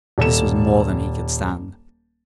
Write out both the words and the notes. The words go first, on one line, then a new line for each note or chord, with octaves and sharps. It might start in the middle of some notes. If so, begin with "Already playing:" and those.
This was more than he could stand.
D#1 A4 E7